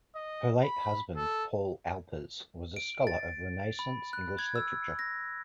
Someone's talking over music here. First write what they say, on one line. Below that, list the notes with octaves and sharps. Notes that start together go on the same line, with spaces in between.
Her late husband, Paul Alpers, was a scholar of Renaissance English literature.
D#5
B5
A4
D7
A6
B5
F#6
G#6
E6
A#6